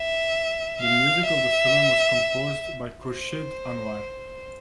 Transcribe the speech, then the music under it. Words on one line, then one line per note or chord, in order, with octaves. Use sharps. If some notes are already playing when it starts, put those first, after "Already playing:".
The music of the film was composed by Khurshid Anwar.
Already playing: E5
F5
E5
C5